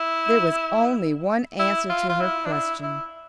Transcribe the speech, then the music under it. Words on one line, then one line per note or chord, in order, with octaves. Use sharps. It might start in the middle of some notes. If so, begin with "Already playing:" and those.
There was only one answer to her question.
Already playing: E4
E4
F4
F4
E4
D4
E4
E4